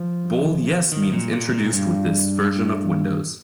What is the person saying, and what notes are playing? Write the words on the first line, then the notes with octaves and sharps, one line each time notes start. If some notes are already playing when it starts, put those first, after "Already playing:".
Bold "Yes" means introduced with this version of Windows.
Already playing: F3
D#3
A#2
A#2
A#2
G2